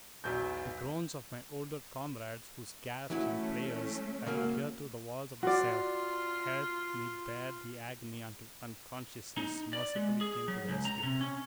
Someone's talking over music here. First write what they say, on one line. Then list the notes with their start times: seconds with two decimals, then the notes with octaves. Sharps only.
The groans of my older comrades, whose gasps and prayers I could hear through the walls of the cell, helped me bear the agony until unconsciousness mercifully came to the rescue.
0.24 B1 E2 G6
3.10 E3 F#3 A3 C#4 E4
4.27 C#3 F#3 A#3
5.43 F4 F#4 D5
9.37 D#4
9.73 D5
9.96 G#3
10.21 G#4
10.48 F#3
10.69 C#2
10.85 A#5
11.03 C3
11.21 C#4